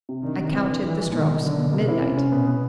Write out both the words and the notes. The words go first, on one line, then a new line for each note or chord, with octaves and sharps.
I counted the strokes--midnight!
C3
D#3 D4
C3
E3 C4
D3
E3 F3
G#3
B2 D#3
B2
D3 F#3
B2
C3 A#3
E4
C#4
C#4
B2 B3
B3